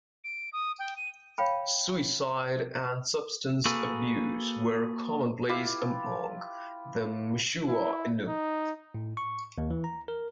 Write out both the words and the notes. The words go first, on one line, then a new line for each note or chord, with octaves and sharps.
Suicide and substance abuse were commonplace among the Mushuau Innu.
D7
D#6
G5
D#7
C#5 F5 G5 B5
A#3 F#4 G#4 A4 B4
E4 F4 G4 B4
E4
D#4
A2
C#6
D#2
E3
A#5
A#4